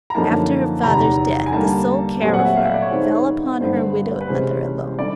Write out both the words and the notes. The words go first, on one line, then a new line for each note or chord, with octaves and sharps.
After her father's death the sole care of her fell upon her widowed mother alone.
A#5
F#2 D3 F3 A#3 D#4 A5
E2 C3 D#3 A#5
G#5
D3 G3 A#3 A5
A#2 F#3 A3 C4 G#5
F#5
E5
F5
E5
D5
C#5
D#3 G#3 B3 D#4 C5
G2 D3 G3 B3 C5
B4
C3 E3 G#3 C#4 C5
D3 G3 D5